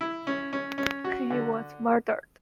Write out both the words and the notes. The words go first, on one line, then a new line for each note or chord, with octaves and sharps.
He was murdered.
E4
C#4
C#4
C#4
F#4
D3